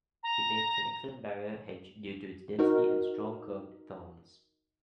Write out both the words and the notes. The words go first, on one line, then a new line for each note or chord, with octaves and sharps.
It makes an excellent barrier hedge due to its density and strong curved thorns.
A#5
D#4 F#4 A#4